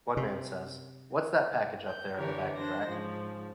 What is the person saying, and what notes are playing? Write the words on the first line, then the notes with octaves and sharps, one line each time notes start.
One man says, What's that package up there in the baggage rack?
C3
G6
D3 E3 D4 G4 A#4 C#5
D4 C5 A#6
G#2 C#3 F3